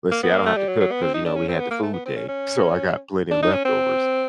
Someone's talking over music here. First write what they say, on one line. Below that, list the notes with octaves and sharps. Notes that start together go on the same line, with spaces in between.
Let's see I don't have to cook 'cause, you know, we had the food day, so I got plenty of leftovers,
A#3
B3
A#3
A3
G3
F#3
F#3
B3
C4
D#4
D4
C#4
C4
B3
A#3
A3
B3
C4
C#4
C#4
D4
D#4
C#4
C4